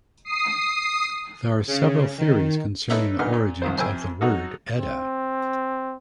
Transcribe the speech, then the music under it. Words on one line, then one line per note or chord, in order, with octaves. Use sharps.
There are several theories concerning the origins of the word "edda".
D#6 C7
C#3
D#3
D#4 A4 B4 C#5 E5
A#2 D3 B3 D#4 F6
A#2
C2 D#3 F4 C5
F2 C3 C5 G5 G#5 E6
F#3 D#4 F#4 A4
C4